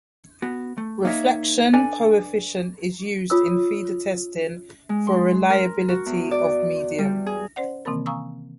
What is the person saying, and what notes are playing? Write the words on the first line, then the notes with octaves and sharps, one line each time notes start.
Reflection coefficient is used in feeder testing for reliability of medium.
B3 F#4
A3
A#3 D#4 A#4 C#5 E5
D4 A4 B4 D5 G#5
F4 C#5 D#6 E6
G#3
C6
A#4
F#4
E2
D5
G3
G#4
C#4 C5 D5 F#5
C3 D#3 E3 A#3 C4 A#4
F5 G#5 A#5 C#6 D#6 E6